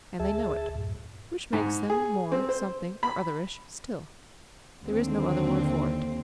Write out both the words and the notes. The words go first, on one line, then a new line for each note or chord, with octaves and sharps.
And they know it--which makes them more something-or-otherish still:--there is no other word for it.
D2 G#4 E5 A5
F#2 A2
G#2
G#4
C4
C5
B5
D#2 D3 C4